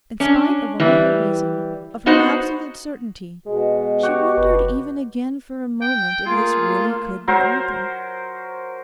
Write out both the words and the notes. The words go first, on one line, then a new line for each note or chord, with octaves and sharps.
In spite of all her reason, of her absolute certainty, she wondered even again for a moment if this really could be Arthur.
C#4 D4
E3 G3
B3 D#4 F#4 C5 F#5
B2 G#3
F#4 G4 C#5
F#1 B4
G5
A3 A#3 F4 G#4
F#3 A#4 C5